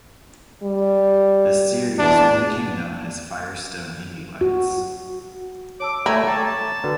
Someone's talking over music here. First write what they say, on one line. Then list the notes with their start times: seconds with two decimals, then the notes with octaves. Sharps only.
The series then became known as "Firestone Indy Lights".
0.63 G3
1.99 E2 D4
4.41 F#4
5.80 C#5 A5 D6 E6
6.06 A3 E4 G#5 A#5
6.27 C#5 G5 A5 A#5 D6
6.46 A5
6.84 D3 F#4 B4